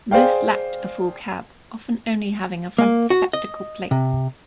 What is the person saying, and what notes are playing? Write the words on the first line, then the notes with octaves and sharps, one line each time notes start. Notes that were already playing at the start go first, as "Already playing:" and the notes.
Most lacked a full cab, often only having a front 'spectacle plate'.
G#4 C5 D5 F5 G5
A#3
F#4
D#5
C3